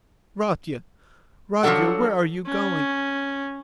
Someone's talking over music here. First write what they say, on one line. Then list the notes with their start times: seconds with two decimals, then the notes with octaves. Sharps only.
Rodya, Rodya, where are you going?
1.63 F3 F#3 A3 D4 A4 F#5
2.46 C#4